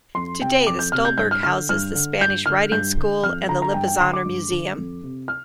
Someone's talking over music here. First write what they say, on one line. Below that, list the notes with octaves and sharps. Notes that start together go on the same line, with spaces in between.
Today the Stallburg houses the Spanish Riding School and the Lipizzaner Museum.
F2 C6
C3 G5
F2 D6
G6
C3 F6
G6
G2 G6
F6
D3 F6
G2 F6
D3
G2 G6
D3 F6
G2 G6
D3
F2 F6
D3 A#5
A#5
G2 G5
G5
D3 C6
D6
G2
D3
F2
C3
F6